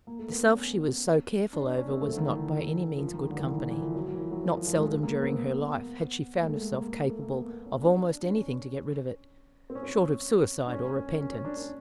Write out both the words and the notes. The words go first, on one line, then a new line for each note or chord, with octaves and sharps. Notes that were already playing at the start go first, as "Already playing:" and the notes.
The self she was so careful over was not by any means good company: not seldom during her life had she found herself capable of almost anything to get rid of it, short of suicide or repentance.
A#3
A3
B3
C#4
C#4
D4
D4
C#4
C4
A3
D3
D#3
E3
F3
D#3
D3
E3
D#3
D3
E3
F3
F#3
F#3
E3
F3
F#3
F3
F3
F3
G#3
A3
G#3
A#3
A#3
C4
B3
A#3
G#3
A3
G#3
A#3
A3
A#3
B3
B3
C#4
D4
D4
C#4
C4
C#4
C4
C#4
D4
C#4
C#4
C#4
C#4
C#4
C#4
D4
C#4